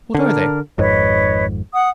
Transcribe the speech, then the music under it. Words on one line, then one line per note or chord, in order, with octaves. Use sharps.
"What are they?"
D3 D4 A#4
G#1 F2 G#2 B4 C#5 D#5
F#5 D#6